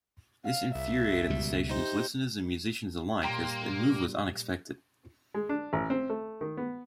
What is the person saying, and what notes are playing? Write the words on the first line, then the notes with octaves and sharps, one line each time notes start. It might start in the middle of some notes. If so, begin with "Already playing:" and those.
This infuriated the station's listeners and musicians alike as the move was unexpected.
F5
C2 E5
C#2 B2 G3
D#4 G4 C5
A#2 G3 A#3 G5 A#5 C6
G#3
D4
A1
C4
A3
D#3
B3